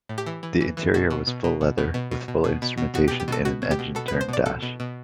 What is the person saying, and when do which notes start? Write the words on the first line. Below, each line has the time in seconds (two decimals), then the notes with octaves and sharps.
The interior was full leather, with full instrumentation in an engine-turned dash.
0.09 A2
0.18 G4
0.26 E3
0.43 E3
0.61 E3
0.77 E3
0.94 B2 F#4
1.10 B2
1.27 B2
1.44 B2
1.61 B2
1.78 B2
1.94 B2
2.11 B2
2.28 B2
2.44 B2
2.62 B2
2.78 B2
2.95 B2 F#4
3.08 G4
3.11 B2
3.20 G4
3.28 B2 A4
3.45 B2 F#4
3.62 B2
3.71 G4
3.79 B2
3.95 B2 A4
4.08 B2 B4
4.21 C5
4.29 B2 D5
4.46 B2 A4
4.62 B2
4.80 B2